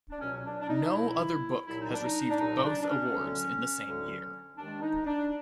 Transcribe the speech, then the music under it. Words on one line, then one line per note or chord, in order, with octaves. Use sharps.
No other book has received both awards in the same year.
D4
C#2 B2 F#3 C#4
C#4
D4
D4
D#4
C#2 B2 F#3 E4
C2 A#2 F#3 E4
D#4
D4
D#4
D4
C2 A#2 F#3 D#4
D4
D4
C#4
D2 D3 F#3
D2 D3 F#3
D#2 D#3 G#3 D4
D#4
D4